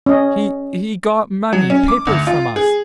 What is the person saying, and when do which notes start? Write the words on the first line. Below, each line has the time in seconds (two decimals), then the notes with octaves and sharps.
He--he got money--papers--from us.
0.06 C#4 D#5
1.53 F#3
1.70 C#4
1.88 D6
2.07 D2
2.27 F4
2.56 G#4